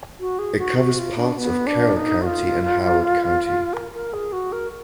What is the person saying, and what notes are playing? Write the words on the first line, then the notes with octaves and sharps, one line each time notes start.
It covers parts of Carroll County and Howard County.
F#4
G#4
F#4
F#4
F4
D4
B3
D4
D#4
F#4
F4
A#4
A#4
G#4
F#4
A#4